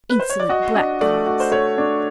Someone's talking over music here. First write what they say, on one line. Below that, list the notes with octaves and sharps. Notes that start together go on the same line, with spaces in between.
"Insolent blackguards!"
B4
C5
C#5
D5
F#4 D#5
D4 D#5
A3 D5
F#4
C5
A3 C#5
D4